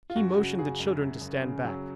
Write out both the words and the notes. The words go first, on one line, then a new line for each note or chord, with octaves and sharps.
He motioned the children to stand back.
F4
F#2 F#4
C#3 F#4
C#3 G#4
F#2
F#2
F#2
C#3
F#3